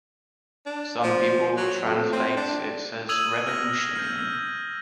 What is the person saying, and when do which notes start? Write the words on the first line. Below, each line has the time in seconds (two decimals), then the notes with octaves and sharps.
Some people would translate it as "revolution".
0.66 D4
1.03 F3
1.57 F#3
1.85 F2
2.12 C4
2.36 D4
3.09 D#6 E6 G#6 D#7 F7 F#7
3.47 F6 G#6 A#6
3.96 F6 G6